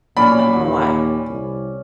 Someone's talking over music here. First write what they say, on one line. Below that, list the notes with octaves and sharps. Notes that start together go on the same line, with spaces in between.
I don't know why.
B1 A#2 C#4 D5 B5
D#2
C2